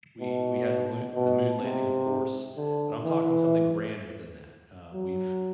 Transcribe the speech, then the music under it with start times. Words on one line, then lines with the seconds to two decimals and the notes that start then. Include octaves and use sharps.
we we had the loo the moon landing, of course, but I'm talking something grander than that. Uh, we've
0.20 B2
1.15 B2
1.63 C3
2.57 D3
3.05 E3
4.94 F#3